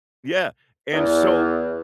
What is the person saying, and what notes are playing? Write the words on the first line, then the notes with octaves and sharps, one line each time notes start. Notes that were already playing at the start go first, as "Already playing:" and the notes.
Yeah, and so,
E2